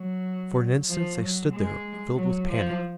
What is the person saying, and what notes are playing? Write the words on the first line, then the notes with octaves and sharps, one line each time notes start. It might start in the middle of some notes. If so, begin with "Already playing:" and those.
For an instant they stood there, filled with panic.
Already playing: F#3
F3
F#3
G#3
F#3
F3